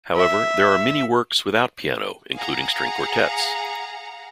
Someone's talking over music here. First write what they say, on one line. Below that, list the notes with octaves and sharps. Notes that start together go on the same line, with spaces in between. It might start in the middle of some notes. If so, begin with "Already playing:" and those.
However, there are many works without piano, including string quartets.
E5
G#4 F5 F#5 A#5